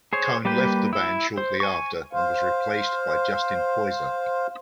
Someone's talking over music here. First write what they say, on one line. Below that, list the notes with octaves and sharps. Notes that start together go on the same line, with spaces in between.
Cone left the band shortly after and was replaced by Justin Poyser.
G#4 C5 C#5
G3 A#3 G4 B4 G5
E4 E6
C5
G#5 C#6
C5 F5